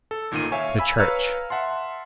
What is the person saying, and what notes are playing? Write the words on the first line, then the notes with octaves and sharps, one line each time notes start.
The church...
A4
A1 A#2 D#3 A#3 D#7
C#5 E5 F5 G#5 C#6
G#5 B5 E6
B4 C#5 F5 A#5 E6 F6
E5 F#5 A5 C6